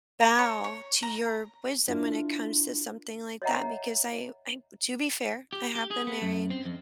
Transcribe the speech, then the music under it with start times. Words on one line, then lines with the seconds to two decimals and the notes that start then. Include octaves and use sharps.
bow to your wisdom when it comes to something like that because I I to be fair, I have been married
0.21 A#5
0.39 C#5
0.64 C#5
1.03 A#5
1.88 D4 E4 F4 A#4 D5
3.42 C#5 D#5 E5 F#5 A#5
5.53 G4
5.75 G4
5.91 G#4
6.07 B3
6.22 F#2
6.50 C4
6.65 F2